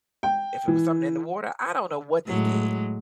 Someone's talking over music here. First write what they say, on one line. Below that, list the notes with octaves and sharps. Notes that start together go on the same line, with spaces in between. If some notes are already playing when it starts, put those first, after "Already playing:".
if it was something in the water, I don't know what they did,
G5
E3
A2 F#3 G#3